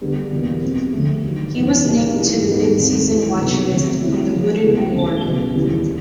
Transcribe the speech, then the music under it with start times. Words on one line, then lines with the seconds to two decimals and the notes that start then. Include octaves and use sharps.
He was named to the midseason watchlist for the Wooden Award.
0.01 D3 G3 B3 D4
0.31 E2 B2 G3 A#3
0.62 B2 G3 C4
0.92 D2 D3 F3 A3
1.24 G2 D#3 F#3
1.54 E2 B2 F#3 B3 D#4
1.85 A#2 G3 A#3 D#4
2.16 G#2 E3 G3
2.47 G#2 D#3 G3 B3 D#4
2.78 D#2 D#3 G3 C4
3.08 G2 E3 G#3
3.38 C2 B2 F#3 B3 D#4
3.70 D3 F3 A3 C4
4.01 C#3 F#3 A3 C4 E4
4.31 C#3 F3 A#3
4.62 C#2 B2 G#3 B3 E4
4.93 C#3 E3 A3 C#4
5.23 C#2 B2 F#3
5.54 D#2 C#3 E3 G3
5.85 D#3